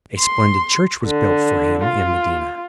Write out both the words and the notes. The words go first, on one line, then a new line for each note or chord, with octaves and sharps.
A splendid church was built for him in Medina.
C6
D3
F4